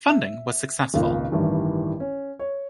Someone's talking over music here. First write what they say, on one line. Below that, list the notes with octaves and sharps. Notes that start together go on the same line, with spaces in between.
Funding was successful.
E5
G#1 C#2 A#2 D#3
A1 G2 D#3 E3 G3
C#4
C#5